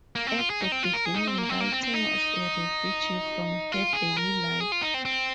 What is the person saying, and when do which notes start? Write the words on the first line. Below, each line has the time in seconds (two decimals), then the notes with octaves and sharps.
At the beginning writing was a refuge from her daily life.
0.16 A#3
0.27 C4
0.38 F4
0.50 G#4
0.61 D#4
0.72 C4
0.83 F4
0.93 A#4
1.05 G#4
1.16 D#4
1.27 C4
1.38 A#3
1.49 C4
1.61 A#3
1.72 C4
1.83 C4
1.94 D#4
3.72 F4
3.93 G#4
4.17 A#4
4.60 G#4
4.72 F4
4.82 D#4
4.94 C4
5.05 C4